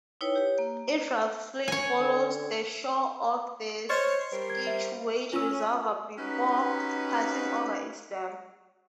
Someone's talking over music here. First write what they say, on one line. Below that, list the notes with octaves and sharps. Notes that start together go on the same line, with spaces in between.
It roughly follows the shore of the Scituate Reservoir before passing over its dam.
D#4 E4 B4 C#5 G5
G4 C#5
A#3
C#5 G#5
D3
C5 C#5 D#5 F6 A6
G3 A#4 C5
G#6
E5
C#4 F4 E6
C#4 D#4 F#4 G4 B4